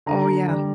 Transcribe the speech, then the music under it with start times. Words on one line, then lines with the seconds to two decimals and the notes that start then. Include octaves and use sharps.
Oh yeah.
0.06 D3 A#5
0.48 G3